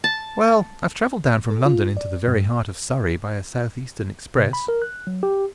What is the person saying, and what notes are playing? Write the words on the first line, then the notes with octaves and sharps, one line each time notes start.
"Well, I've travelled down from London into the very heart of Surrey by a South Eastern express."
A5
A4
F4
D5
G2
C3
B5
A#4
F#6
F#3
G4